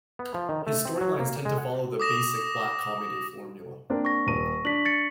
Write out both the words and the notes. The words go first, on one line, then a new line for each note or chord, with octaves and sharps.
His storylines tend to follow the basic black comedy formula.
B3
F3
D#3
A3
C4
F#3
A#3
G#3
F#5
D6 D#6 A#6 E7
A#3 C4 D4
C#6 A#6
D#1 D#7
D4 B6 F#7
A6 C#7